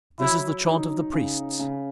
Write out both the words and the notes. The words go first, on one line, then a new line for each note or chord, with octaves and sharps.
This is the chaunt of the Priests.
F#3 E4
D#4
C#3
C#3